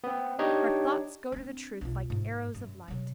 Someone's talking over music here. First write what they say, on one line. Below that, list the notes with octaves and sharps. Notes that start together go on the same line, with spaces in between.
Her thoughts go to the truth like arrows of light.
B3 C4
D4 D#4 G4 C#5 D#5
C4 D4
B1 F4
G#2
F#2
C3 F#3